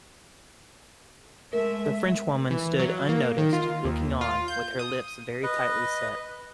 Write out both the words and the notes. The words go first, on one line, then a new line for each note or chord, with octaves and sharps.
The Frenchwoman stood unnoticed, looking on with her lips very tightly set.
G#3 A3 A#4 E5
E3
F#3
A#3
D#3
F4
D#2
F4
G6
D#6
B4 D#5